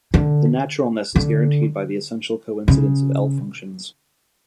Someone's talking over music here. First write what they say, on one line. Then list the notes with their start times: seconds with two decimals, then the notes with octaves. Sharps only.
The "naturalness" is guaranteed by the essential coincidence of L-functions.
0.14 D3
1.16 D3
2.68 C#3